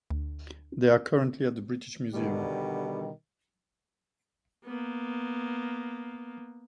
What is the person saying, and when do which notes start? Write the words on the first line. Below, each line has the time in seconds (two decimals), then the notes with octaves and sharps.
They are currently at the British Museum.
0.10 D2
2.14 B2 D3 D#3 G3
4.64 A#3 B3